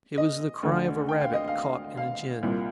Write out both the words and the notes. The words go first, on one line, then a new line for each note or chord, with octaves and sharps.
It was the cry of a rabbit caught in a gin.
D#5
D2 D3
G5
F5
D#5
F5
F5
C2 A#2